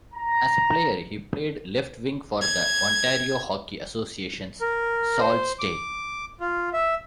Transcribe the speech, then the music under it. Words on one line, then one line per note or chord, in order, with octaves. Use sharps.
As a player, he played left-wing for the Ontario Hockey Association's Sault Ste.
A#5
G#6
A#4
C5
D6
F4
E5